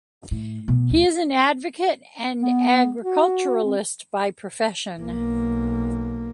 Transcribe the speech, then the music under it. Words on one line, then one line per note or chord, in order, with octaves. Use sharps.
He is an advocate and agriculturalist by profession.
A2
B2
D2
B3
F#4
C4
B1 A#3